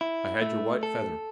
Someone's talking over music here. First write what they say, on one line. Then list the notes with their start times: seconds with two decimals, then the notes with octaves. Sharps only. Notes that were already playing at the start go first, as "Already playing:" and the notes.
"I had your white feather."
0.01 E4
0.42 A3
0.83 A4